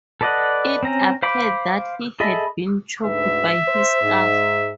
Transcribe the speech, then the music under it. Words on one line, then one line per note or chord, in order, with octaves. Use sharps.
It appeared that he had been choked by his scarf.
A4 B4 D5 D#5 F#5
C4 C#4 A#5
C5 F5 B5 D6
G#4 A4 D#5 E5 B5
D2 G#2 B4 E5
C5
G#2